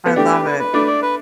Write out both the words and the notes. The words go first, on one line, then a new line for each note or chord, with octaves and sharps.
I love it.
B3
A3 D4 G4
B4
B4
B4
A3 D4 D5
D5
B4